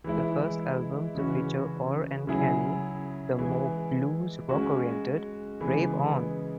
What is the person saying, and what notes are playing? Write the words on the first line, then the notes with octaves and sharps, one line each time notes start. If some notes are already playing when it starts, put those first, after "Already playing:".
The first album to feature Orr and Kenney, the more blues rock-oriented Rave On!!
E3 G#3 E4
C#3 E3 C#4 F#4
C#3 F#3 E4 G#4
E3 G#3 E4 G#4
G#3 C#4 F#4
C#3 E3 G#3 B3 G#4